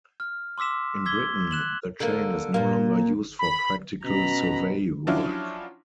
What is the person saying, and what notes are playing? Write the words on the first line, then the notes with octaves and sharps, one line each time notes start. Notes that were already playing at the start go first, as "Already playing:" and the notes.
In Britain, the chain is no longer used for practical survey work.
F6
C6 D6 E6 B6 E7
D6 E6 G#6 B6 G7
F#6 E7 F#7
D3 A#3
A#2 A#3
B5
B2 C#4 A#5 B5
F3 F#3 C#4 D4 E4 F4